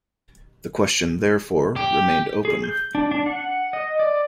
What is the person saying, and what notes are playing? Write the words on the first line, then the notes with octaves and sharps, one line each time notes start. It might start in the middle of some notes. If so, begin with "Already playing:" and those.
The question therefore remained open.
G4
G#4
G6
D4
D4
F#5
D#5
D5